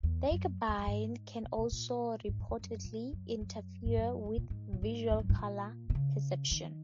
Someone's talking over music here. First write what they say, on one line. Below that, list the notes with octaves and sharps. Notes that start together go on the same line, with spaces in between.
Tiagabine can also reportedly interfere with visual color perception.
E2
F#2
E2
F#2
G#2
B2
B2
A#2
G#2
F#2
E2
F#2
A#2
F#2
F#2
G#2
F#2
G#2
A#2
G#2
A#2
G#2
E2
F#2
G#2
A#2
B2
C#3
D#3